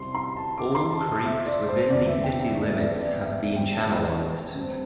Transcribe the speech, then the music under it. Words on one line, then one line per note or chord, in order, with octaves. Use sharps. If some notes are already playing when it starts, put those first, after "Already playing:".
All creeks within the city limits have been channelized.
Already playing: C2 C3 G3 C6
C6
A5
D6
C6
A5
A5
E5
D5
C5
E2 D3 C4 D5
E5
G5
E5
D5
E5
D5
D5
E5
E5
G5
A5
G2 G3 C4